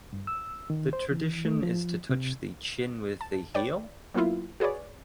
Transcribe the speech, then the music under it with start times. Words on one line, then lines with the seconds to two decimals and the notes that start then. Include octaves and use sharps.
The tradition is to touch the chin with the heel?
0.13 G2
0.27 E6
0.70 D#3
0.93 C5
1.11 E3
1.45 A3
1.63 F3
2.09 C3
3.21 A5
3.54 B4 C#5 D5 G5
4.14 F#3 A#3 B3 E4 F4
4.60 F#4 G#4 B4 C#5 D5